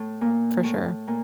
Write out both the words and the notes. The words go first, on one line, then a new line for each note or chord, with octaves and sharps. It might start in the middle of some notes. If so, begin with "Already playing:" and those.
for sure.
Already playing: A2 A3
A#2 A#3
A2 A3
A#2 A#3